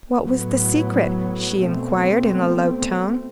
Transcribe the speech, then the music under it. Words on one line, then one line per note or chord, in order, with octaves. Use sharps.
"What was the secret?" she inquired, in a low tone.
A2 F#3 B3
B2 A3 C4